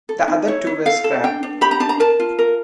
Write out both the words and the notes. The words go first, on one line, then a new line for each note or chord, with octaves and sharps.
The other two were scrapped.
A4
D#4
E4 C#5
E4
A4 F5
A4
D4 G5
D4
G4 B5
A#5
D4 A5
A#5
A#4 A5
F4
A#4